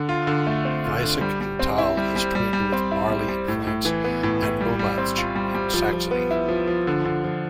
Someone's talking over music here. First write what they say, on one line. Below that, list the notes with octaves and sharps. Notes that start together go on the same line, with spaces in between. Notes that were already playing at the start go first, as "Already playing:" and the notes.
Weissach im Tal is twinned with Marly in France and Lommatzsch in Saxony.
Already playing: D3
F4
D3
A3
C4
F4
D3
G3
G3
C4
E4
G3
G3
G3
G3
C4
E4
G3
G3
A2
A2
E3
B3
A2
A2
G3
G3
C4
F4
G3
G3
F3
F3
B3
E4
F3
F3
D3
D3
F3